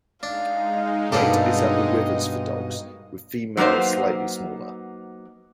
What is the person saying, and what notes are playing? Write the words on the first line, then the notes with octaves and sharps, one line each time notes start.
Height is at the withers for dogs, with females slightly smaller.
G#3 D4 D#4 F5
G2 B2 A#3 D4 G4 A4 D#5
F#3 A#3 B3 D#4 C5